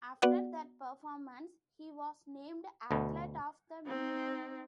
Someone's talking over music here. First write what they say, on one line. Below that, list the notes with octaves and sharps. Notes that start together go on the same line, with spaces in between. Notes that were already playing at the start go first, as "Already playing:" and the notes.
After that performance, he was named Athlete of the Meet.
B3 F#4 D5 F#5
D2 B2
C4 D#4